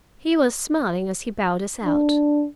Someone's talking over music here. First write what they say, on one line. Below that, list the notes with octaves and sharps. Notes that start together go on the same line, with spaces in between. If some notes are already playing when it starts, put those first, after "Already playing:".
He was smiling as he bowed us out.
D4